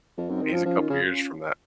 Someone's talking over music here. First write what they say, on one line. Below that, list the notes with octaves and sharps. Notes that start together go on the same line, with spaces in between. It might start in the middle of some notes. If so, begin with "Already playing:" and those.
He's a couple of years from that.
F2
F#2 C4 D#4
D#3
F3 C#4 F4
F3
D#3
C#3